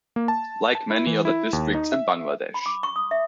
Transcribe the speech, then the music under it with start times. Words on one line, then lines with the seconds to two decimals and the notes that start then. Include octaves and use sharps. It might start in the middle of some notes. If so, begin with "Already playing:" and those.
Like many other districts in Bangladesh.
0.16 A#3
0.28 A5
0.75 A5
0.90 E4
1.07 E3
1.25 E4
1.53 D#2
1.74 D#4
1.92 E5
2.54 B5
2.66 D6
2.83 C#6
2.96 D#6
3.11 E5